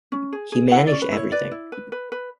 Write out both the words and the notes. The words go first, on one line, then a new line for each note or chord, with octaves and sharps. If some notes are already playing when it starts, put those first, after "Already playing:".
He managed everything.
C#4
G#4
G#4
E4 F#5
C#4 D5
B4
E4
C#5
B4 D5
E4
B4
B4
B4